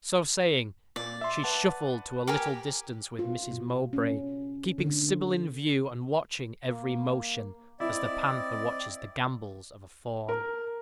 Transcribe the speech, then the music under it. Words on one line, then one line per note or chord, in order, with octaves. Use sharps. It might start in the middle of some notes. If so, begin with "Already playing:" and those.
So saying, she shuffled to a little distance with Mrs. Mowbray, keeping Sybil in view, and watching every motion, as the panther watches the gambols of a fawn.
A#2 D5
E5 C6
B4 F#5 A5
G4 A#4 G#5
F4
B2
C#4
D3
A#3
C4 E4 D5 D#5
A#4